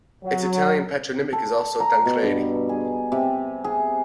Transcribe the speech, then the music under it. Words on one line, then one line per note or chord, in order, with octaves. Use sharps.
Its Italian patronymic is also Tancredi.
F#3
A4
A#5
B2
G2
G#4
C3
G#4